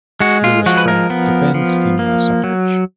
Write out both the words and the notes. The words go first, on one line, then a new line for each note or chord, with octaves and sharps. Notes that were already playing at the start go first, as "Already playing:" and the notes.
Louis Frank defends female suffrage.
G#3 F#4
F4
F3 F#4
B4
A#4
B3
F3
A#3
F#3